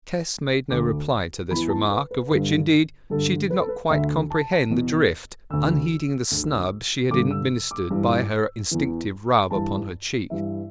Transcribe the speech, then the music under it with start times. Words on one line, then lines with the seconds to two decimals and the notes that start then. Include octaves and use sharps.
Tess made no reply to this remark, of which, indeed, she did not quite comprehend the drift, unheeding the snub she had administered by her instinctive rub upon her cheek.
0.70 D2 D3 D6
1.51 E2 E3 B5
1.70 A5
1.91 B4
2.11 B4
2.31 G2 D3
3.10 G2 D3 A4
3.50 B4
3.59 A4
3.69 B4
3.90 D2 D3 E5
4.30 A5
4.70 E2 B2
5.50 D2 D3 E6
6.31 D2 D3
7.10 G2 D3 D6
7.31 E6
7.71 D6
7.90 G2 E3
8.71 E2 E3
9.51 G2 E3 A5
10.30 G2 E3 E5